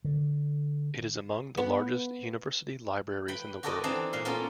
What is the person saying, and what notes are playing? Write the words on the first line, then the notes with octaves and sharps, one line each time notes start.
It is among the largest university libraries in the world.
D3
B3
B4 G5 B5
F#4 G4 A4 A#4 D5 D#5
E3 C4 D4 D#4 A4
A#2 F5 C6
A#3 B3 C#4 F4 A4